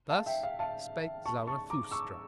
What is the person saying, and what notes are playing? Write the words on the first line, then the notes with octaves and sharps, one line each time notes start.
Thus spake Zarathustra.
F5 A5
E5 G5
F5
F5 A5
A5 C#6
A5 C#6
A#5 D6
C#6 E6